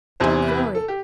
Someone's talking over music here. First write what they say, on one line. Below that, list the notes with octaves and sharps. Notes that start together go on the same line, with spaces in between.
Don't worry!
E2 C3 E3 C5
B4
A4
G4